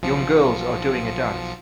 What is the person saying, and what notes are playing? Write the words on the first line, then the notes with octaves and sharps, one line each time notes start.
Young girls are doing a dance.
B1 F3 C#7